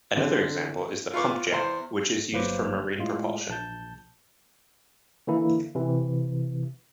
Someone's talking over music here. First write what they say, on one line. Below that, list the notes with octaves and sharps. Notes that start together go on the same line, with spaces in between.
Another example is the pump-jet, which is used for marine propulsion.
D3
F4 B4 C#6 D6
E2 C5
G1 F#3 A#3 B4 C5 D6
A2 G#3 F4
A#1 A5 G6
D3 E3 A#3 E4
C3 E3